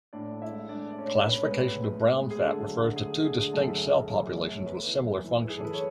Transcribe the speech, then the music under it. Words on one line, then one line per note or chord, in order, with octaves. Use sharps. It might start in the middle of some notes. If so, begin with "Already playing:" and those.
Classification of brown fat refers to two distinct cell populations with similar functions.
A2 D4 D5
A2
E4 E5
G#3
G#3 D4 D5
B3 D5
C#4 C#5
A2
A2 B4
C#5
G#3
B3 B4
A2
A2
B3
G#3
G#4
D3 A3 A4
F#3
D3
A3 G#4
D3
G#4
D3
F#2 A3 A4
F#3
A3
F#2
A3
A3
C#5
A3 B3 B4
E3
F#2
E3
E3
G#4
A4
E3 B4
C#5